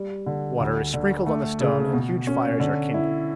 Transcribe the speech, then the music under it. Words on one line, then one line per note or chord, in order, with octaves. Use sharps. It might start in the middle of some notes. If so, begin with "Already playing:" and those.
Water is sprinkled on the stone and huge fires are kindled.
Already playing: G3
D3
D2
D3
A3
C#3
B2
C#4
D3
E4